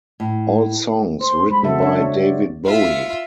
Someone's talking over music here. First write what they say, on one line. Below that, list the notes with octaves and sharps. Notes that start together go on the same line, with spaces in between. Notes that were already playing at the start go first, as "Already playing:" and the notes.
All songs written by David Bowie.
A2
C5 C6
G#3 B5
C#3 F#4 A4 E5
D4 C#5
D5
F4 E5